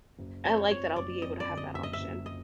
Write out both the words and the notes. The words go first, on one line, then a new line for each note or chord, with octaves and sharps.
I like that I'll be able to have that option.
F#1
F2 C#5
F2 C#5
F#1 D5
F2 D#5
D5
D3
D#5
F#1 E5
D#5
E5
F#1
D#5